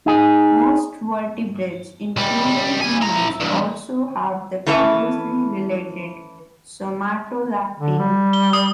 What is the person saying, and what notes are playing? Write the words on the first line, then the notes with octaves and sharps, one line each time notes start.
Most vertebrates including humans also have the closely related somatolactin.
D#4 G#4
C#2 G3
G3 G#5
E4 A#5
E2 G2
E3 A3 C#4 B4 E5
D3
G3
G7
D#6